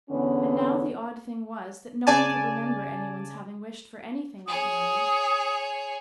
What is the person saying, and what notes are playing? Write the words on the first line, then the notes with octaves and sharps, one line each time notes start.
And now the odd thing was that no one could remember anyone's having wished for anything that morning.
E2 D3 B3 C#4
C#3 D5 G#5 A5
G#4 C#5 D#6